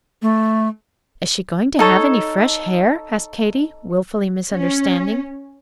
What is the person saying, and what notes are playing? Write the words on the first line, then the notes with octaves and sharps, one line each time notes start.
"Is she going to have any fresh hair?" asked Katy, wilfully misunderstanding.
A3
D#4 A4 C#5
C#4